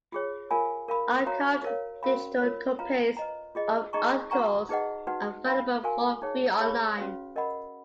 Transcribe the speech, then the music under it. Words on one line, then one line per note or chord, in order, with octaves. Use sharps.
Archived digital copies of articles are available for free online.
F4 G#4 C#5
F4 A#4 F5 G#5 B5
A#4 F5 B5
F#4 C#5 F5 A#5
A#4 C#5 F5
C#4 F#4 A#4 F5 B5
F4 A#4 C#5
F4 B4 F5 A#5
B4 D#5 A#5
F4 G#4 D#5
D#4 G#4 D#5 A#5 C#6
F#4 B4 F#5 A#5 C#6
D#4 G#4 B4 D#5 F#5
D#4 F#4 B4 F#5
B4 F5 B5
F#4 A#4 F5 G#5
D#4 G#4 C#5
G#4 C#5 F5 B5
C#4 F#4 B4 F5
A#4 D#5 F#5 B5